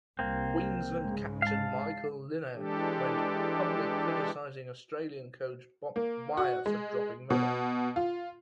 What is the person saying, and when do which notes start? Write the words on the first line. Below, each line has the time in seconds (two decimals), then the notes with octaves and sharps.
Queensland captain Michael Lynagh went public criticising Australian coach Bob Dwyer for dropping Miller.
0.19 C2 A#3 C4
1.02 G#2 C#3 G#3
1.42 F5 A5
2.56 E3 G#3 D4 G4 A4
5.96 A#3
6.37 F#4
6.66 G#3
7.30 B2
7.96 F4